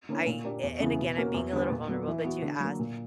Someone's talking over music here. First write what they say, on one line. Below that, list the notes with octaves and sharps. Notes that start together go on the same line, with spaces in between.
I a and, again, I'm being a little vulnerable, but you asked.
D3 A#3 C#4 E4
A#2
A#3 D4 G4
E2
C#3 E3 B3 E4
B2
A#3 C#4 F#4 A#4
E2
D3 G3 B3
A#2
F#3 B3
E3
B3 F#4
D3
F#3 A#3
A#2